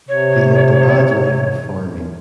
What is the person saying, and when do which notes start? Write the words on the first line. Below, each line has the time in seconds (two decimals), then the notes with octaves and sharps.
He lived a bad life of farming.
0.09 C3 C#5